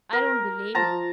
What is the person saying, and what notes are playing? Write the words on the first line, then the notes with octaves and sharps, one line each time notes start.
I don't blame you.
A#4
F3 A5 A#5